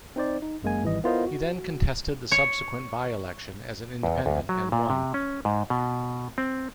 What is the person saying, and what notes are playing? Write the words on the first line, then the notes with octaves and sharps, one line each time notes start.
He then contested the subsequent by-election as an independent, and won.
C4 D#4 C5 D5
D#4
G1 F#2 G#3 A#3 G#5
G#1 E3 G3 D#5
B3 E4 F4 A#4 C5 D#5
F#4
C#5
E2
D2
F#3
A#2
C3
C#4
G#2
B2
C4